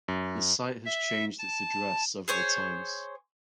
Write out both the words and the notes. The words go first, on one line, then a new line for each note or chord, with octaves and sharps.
The site has changed its address several times.
F#2
E5
A5
G#4 C5 C#5